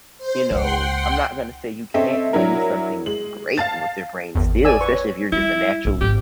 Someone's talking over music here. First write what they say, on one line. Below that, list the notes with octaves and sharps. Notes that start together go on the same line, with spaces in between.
you know, I'm not gonna say you can't do something great with your brain still, especially if you're just a naturally
C5
C#2 A#3 F#5 G5 C6
C4 C#4 A4 D#5 E5
F#3 D4 E4 A#4
G#3 F#7
F5 A5 A6
G#1 E2
D5 G#5 E6
B4 C#6
C#5
G3 E4
A#1
G#1 G4